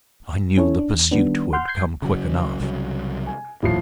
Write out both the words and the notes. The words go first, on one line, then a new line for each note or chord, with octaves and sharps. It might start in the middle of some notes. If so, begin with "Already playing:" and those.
I knew the pursuit would come quick enough.
C#4 E4 A4 C#5
D4
E2
D#3 G3 B3 D4
F#5 C6 F6 G6
G6 G#6 C7
C#3 F#3
C2 C#3 F#3
G#5
D#1 A#1 D#2 A2 F3 C7